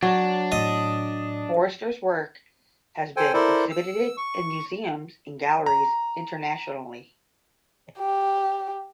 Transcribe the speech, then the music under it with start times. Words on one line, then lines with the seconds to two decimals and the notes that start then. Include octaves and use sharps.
Foerster’s work has been exhibited in museums and galleries internationally.
0.02 F#3 D4
0.52 A2 D#5 D#6
3.16 A4 C5 G5 G#5
3.33 E4 A4 A#4 C5 D5
3.71 E6
4.17 C#6
5.66 A#5
7.99 G4